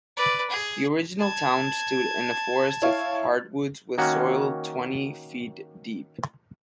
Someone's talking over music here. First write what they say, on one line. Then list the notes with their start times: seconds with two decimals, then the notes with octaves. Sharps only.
The original town stood in a forest of hardwoods with soil twenty feet deep.
0.16 B4 D5
0.50 G#4
1.19 A5 G#6
2.82 E4 C#5 F5
3.98 D#3 A#3 C#4 F#4